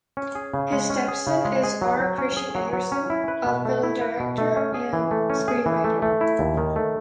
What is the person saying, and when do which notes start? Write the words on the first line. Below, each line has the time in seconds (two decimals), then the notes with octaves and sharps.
His step-son is R. Christian Anderson, a film director and screenwriter.
0.17 C#4
0.35 G#4
0.54 C#3
0.72 G#3
0.90 C#4
1.08 G#4
1.27 C#3
1.45 G#3
1.63 G#4
1.82 F#3
2.00 F#3
2.18 C#4
2.37 G#4
2.55 F#3
2.73 F#3
2.92 C#4
3.10 E4
3.28 B4
3.46 B2
3.65 A3
3.83 E4
4.01 B4
4.20 B2
4.38 A3
4.56 C#4
4.74 G#4
4.93 E3
5.11 A3
5.30 C#4
5.48 G#4
5.66 E3
5.84 A3
6.02 A3
6.21 E4
6.39 D#2
6.57 D#3
6.76 A3